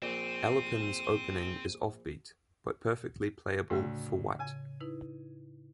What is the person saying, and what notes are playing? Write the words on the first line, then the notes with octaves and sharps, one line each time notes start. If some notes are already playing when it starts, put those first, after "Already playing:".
Alapin's Opening is offbeat, but perfectly playable for White.
A#1 C4 D#7
D2 A2 C#3
C#3 G#5
D#4 E4 B4